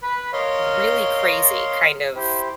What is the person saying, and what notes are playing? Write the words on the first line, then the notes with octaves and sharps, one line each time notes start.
really crazy kind of,
B4 B5
A#4 C#5 D#5 F5 C6
E4 G4 C5